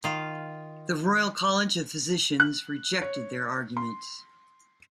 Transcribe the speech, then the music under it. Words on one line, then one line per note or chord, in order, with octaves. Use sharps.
The Royal College of Physicians rejected their argument.
D#3 F4
F#6
C#5
C6